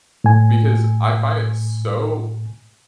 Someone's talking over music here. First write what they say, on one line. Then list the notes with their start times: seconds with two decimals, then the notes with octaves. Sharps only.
Because I find it so
0.24 A2 G#5